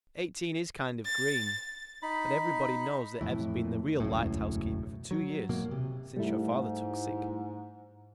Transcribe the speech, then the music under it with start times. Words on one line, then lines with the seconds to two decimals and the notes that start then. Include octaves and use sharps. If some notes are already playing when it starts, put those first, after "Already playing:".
Eighteen is kind of green, but everybody knows that Ev's been the real lighthouse keeper for two years, since your father took sick.
1.05 A6
2.03 D#4 B5
3.21 F2 A2 E3
4.00 E1 C#2 F#2 A2
5.11 F#3
5.49 G#2 B2 F#3 A#3
5.71 C3
6.16 G#2 G3 A3 E4